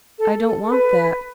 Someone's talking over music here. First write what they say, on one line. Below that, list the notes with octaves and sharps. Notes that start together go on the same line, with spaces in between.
I don't want that.
A4
A4
A4
B4